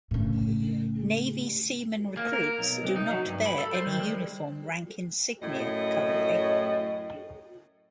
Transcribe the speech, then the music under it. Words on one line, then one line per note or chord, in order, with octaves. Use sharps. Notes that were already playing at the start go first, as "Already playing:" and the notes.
Navy seaman recruits do not bear any uniform rank insignia currently.
A2 C#3
A#3
A#4
B1
C2
D#4
F#3
G2
B5
A4
C5
D#3
G3
F#2 A2 D#5